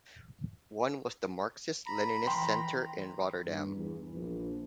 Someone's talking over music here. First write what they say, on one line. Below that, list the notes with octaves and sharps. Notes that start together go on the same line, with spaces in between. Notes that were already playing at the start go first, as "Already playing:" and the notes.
One was the Marxist-Leninist Centre in Rotterdam.
A#5 B5
E3 G5 C6
G2
E2
A#1